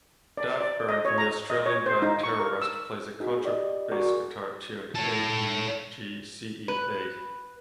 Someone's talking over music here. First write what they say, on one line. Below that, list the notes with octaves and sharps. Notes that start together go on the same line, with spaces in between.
Dav Byrne from the Australian band Terrorust plays a contrabass guitar tuned "A-D-G-C-E-A".
D5
D5
D#5
C#5
A#5
D#5
C#5
C5
D#4
C#6
A#4
E6
D#4 F#4 G#4
G4 D5 D#5
F#4 G#4 A#4 D5 C#6
A4 C#5
B4